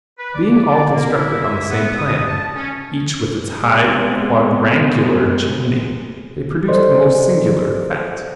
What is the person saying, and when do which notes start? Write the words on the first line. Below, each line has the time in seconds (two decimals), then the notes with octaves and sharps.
Being all constructed on the same plan, each with its high quadrangular chimney, they produced a most singular effect.
0.18 B4
0.34 D5
0.50 D5
0.65 D5
0.95 A#3
1.13 E4
1.43 E5
1.69 B3
1.97 D#6
2.27 A5
2.55 C#4
3.60 G#2 C3 G#3 B3
6.68 A4 C5 D5 D#5 C6